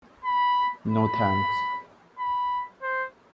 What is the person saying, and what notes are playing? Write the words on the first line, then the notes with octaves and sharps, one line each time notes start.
No, thanks.
B5
B5
B5
C5